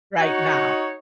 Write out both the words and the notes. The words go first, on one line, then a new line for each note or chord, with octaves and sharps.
right now
D#4 F#4 C#5